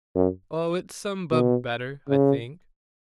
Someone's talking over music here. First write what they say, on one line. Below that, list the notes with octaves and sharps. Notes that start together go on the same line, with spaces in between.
"Oh, it's some bub-better, I think."
F#2
B2
C#3